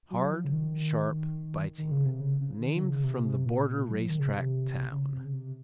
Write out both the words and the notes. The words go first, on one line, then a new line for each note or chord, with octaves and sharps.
Hard; sharp; biting; named from the border race-track town.
F#3
F3
C#3
D#3
D#3
C#3
C3
C#3
C#3
D#3
D#3
C#3
C3
C3
A#2
F#3
F3
D#3
C#3
C3
C#3
C3
C#3
C3